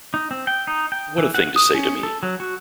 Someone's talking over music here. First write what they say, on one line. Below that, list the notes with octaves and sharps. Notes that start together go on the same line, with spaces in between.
What a thing to say to me!
D#4
C4
G5
D#4
G5
E3
F#5
D#6
C#4
A4
F#3
F#4